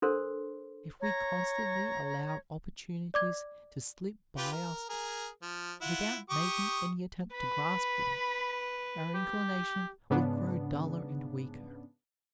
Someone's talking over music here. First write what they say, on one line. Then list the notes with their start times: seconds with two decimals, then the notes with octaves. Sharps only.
If we constantly allow opportunities to slip by us without making any attempt to grasp them, our inclination will grow duller and weaker.
0.02 D4 A4 A#4 C5 C6
1.01 C#5 A#5
3.14 D5 D6 G#6
4.37 F4 G4 B4
4.53 A#4
4.89 G#4 A#4
5.42 F3
5.81 E4 F4 F#5
6.30 G4 C#6 D#6
7.34 B4 B5
9.14 G4
10.10 G#2 C#3 B3 D4